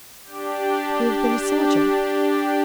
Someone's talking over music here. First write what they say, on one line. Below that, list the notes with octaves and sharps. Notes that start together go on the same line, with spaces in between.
"You have been a soldier?"
D4 G4